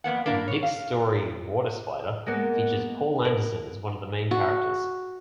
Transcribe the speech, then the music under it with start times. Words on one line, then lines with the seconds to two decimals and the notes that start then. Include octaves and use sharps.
Dick's story "Waterspider" features Poul Anderson as one of the main characters.
0.04 F2 A#3 B3 F#5
0.26 A#3 D4 E4 A#4
0.48 C#5
0.63 F5
2.26 G#3 A#3 B3
3.25 A#4
4.31 F#4